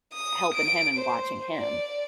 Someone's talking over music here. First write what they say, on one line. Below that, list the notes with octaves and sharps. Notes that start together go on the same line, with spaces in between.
helping him and watching him.
D#6
D7
C5
D5